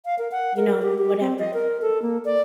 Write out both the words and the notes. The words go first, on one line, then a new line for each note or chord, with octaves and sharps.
you know, whatever.
F5
A#4
F#5
A#4
G4
G4
C4
D#5
A#4
A4
A#3
D5